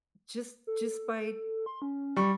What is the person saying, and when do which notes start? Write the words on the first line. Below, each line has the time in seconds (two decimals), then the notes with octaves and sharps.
just just by, d
0.67 A4
1.66 C6
1.82 C#4
2.16 G3 C#6